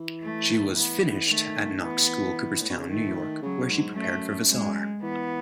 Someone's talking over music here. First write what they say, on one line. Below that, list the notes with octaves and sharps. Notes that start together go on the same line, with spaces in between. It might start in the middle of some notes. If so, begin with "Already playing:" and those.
She was "finished" at Knox School, Cooperstown, New York, where she prepared for Vassar.
Already playing: E3
A3
D#3
E3 B3
E3
D#3 A3
E3 B3
A2
B2
C#3
D#3 A3
E3
D#3
C#3 F#3
G#2
F#2 A3
G#3
E3 B3